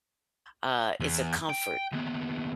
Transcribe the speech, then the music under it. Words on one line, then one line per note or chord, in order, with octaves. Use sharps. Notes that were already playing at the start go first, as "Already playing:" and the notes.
uh, it's a comfort,
E2
G5
D#2 B3